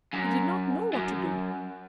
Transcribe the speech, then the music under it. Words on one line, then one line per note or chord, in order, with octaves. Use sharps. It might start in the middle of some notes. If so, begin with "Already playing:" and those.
He did not know what to do.
F#2
F#2